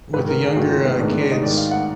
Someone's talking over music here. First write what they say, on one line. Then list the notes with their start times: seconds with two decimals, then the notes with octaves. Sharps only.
with the younger, uh kids,
0.13 G#2 B4
0.18 D#3
0.28 A#4
0.43 G#4
0.56 G#2 D#3 F#4
0.71 F4
0.85 B3
0.99 G#2 D#3 D4
1.10 B3
1.21 D4
1.32 D#4
1.43 G#2 D#3 D5
1.57 F5
1.71 F#5